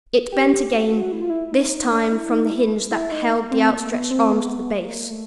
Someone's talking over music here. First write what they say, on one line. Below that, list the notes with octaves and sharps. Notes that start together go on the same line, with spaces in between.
It bent again, this time from the hinge that held the outstretched arms to the base.
G4
F#4
E4
F4
E4
D#4
D4
E4
D#4
E4
E4
D#4
C4
A#3
B3
C4
B3
A#3
A3